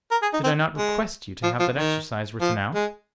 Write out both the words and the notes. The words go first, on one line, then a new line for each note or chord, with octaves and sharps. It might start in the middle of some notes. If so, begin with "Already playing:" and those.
"Did I not request you to have that exercise written out?"
A#4
G#4
D#4
C4
G#3
F3
F3
D#3
F3
G#3